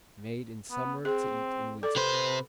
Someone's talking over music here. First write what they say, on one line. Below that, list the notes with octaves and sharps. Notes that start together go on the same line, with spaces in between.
Made in summer to eat in winter.
B3
C4 G#4
A4 D5
C3 B4 C5